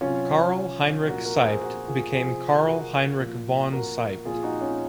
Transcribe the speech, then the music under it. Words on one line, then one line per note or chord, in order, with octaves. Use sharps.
Karl Heinrich Seibt became Karl Heinrich von Seibt.
C3 F#3 C#4 F4
A#2 F3 F#4 A#4
F#4 A#4
G#4 C5
F#4 A#4
F4 G#4
C3 F3 G#4 C5
F#4 A#4
A#2 F3
F#4 A#4
A#2 F3 F4 G#4
D#4 F#4
C#4 F4